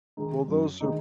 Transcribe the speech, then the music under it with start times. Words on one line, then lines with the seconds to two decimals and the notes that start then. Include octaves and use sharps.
Well, those are
0.17 D#3 G#3 D#4
0.48 F#2
0.80 D#3 G#3 D#4